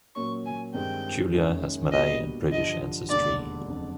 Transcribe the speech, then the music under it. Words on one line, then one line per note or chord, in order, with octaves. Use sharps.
Julia has Malay and British ancestry.
A#2 F#3 A#3 C#4 C#6
G#5
G2 D#3 G#3 C4 D#4 G5
F#1 F#2 D#3 G#3 C#4
A#2 G3 B3 D4 F#4 D#5
G2 D3 F3 D#5
E1 D#2 D3 D5
F#1 F2 D3